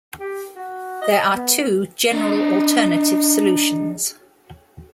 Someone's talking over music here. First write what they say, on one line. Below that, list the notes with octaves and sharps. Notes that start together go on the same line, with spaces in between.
There are two general alternative solutions.
G4
F#4
D#5
B3
D4 D#4